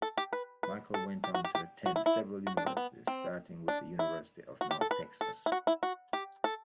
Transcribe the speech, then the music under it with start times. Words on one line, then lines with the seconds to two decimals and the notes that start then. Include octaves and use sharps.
Michael went on to attend several universities starting with the University of North Texas.
0.02 A4
0.18 G4
0.33 B4
0.63 B4
0.94 A4
1.24 G4
1.34 F#4
1.45 G4
1.55 G4
1.86 F#4
1.96 E4
2.06 E4
2.47 F#4
2.57 D4
2.66 C4
2.77 B3
3.07 C4
3.68 D4
3.99 E4
4.61 F#4
4.71 G4
4.81 A4
4.91 B4
5.21 A4
5.46 E4
5.52 F#4
5.67 E4
5.83 F#4
6.13 G4
6.44 A4